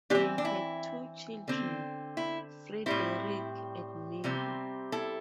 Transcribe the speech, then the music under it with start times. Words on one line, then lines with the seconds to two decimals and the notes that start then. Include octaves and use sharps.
They had two children, Frederick and Mary.
0.10 E3 C4 D4 G4
0.38 D4
0.45 E4
1.48 D3 C4
2.17 E4
2.86 A2 G3 C4 E4
4.24 C3 G3 C4
4.92 E4 A4